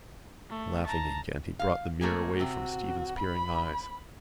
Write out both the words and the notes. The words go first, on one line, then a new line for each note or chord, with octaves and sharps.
Laughing again, he brought the mirror away from Stephen's peering eyes.
A3
A5 A#5
F5
A3 A#3 G#4
C3 C4 F#4
B5